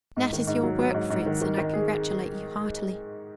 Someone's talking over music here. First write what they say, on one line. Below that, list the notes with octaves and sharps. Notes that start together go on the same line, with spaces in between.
Nat is your work, Fritz, and I congratulate you heartily.'
G#2
D#3
G#2
F#3
F#3
G#2
G#2
D#3
D#3
D#3
G#4